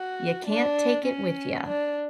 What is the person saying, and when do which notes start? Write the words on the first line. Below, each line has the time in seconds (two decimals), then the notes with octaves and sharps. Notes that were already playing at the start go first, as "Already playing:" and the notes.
"You can't take it with ya.
Already playing: F#4
0.47 D4
1.06 C#4
1.66 D4